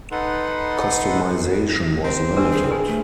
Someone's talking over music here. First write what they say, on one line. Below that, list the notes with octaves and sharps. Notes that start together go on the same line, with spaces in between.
Customization was limited.
D#4 A4 B4 F#5 C6
C4
D4 B4 E6
G#4
G2 B4 G#5
A3